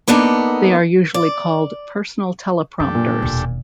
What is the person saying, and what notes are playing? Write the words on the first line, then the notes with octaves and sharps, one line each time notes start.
They are usually called personal teleprompters.
A#3 B3 D4 D#4 A4
D5
F#2 D4 G4 A4
A#2
E1 D#2